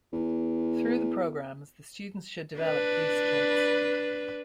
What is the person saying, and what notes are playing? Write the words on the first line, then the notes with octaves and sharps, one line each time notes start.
Through the programmes the students should develop these traits.
E2
D4 B4